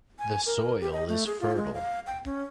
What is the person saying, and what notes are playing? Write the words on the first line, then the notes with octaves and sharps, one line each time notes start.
The soil is fertile.
G#5
A#4
G4
D#5
A3
G#4
F4
G#3
F5
G5
C#4